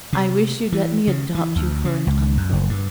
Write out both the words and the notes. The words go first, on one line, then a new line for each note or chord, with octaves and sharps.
I wish you'd let me adopt you for an uncle.
C3
E3
C#3
E3
D2
C#3
C#2
F#2
F#1
G2